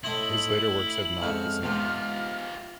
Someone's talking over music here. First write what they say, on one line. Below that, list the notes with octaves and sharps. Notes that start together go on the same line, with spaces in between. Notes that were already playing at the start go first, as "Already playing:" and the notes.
His later works have not the same merit.
A2 E4 D#5 C6 F#7
F2 G#2 C#3 F6
E2 G#2 F4 G4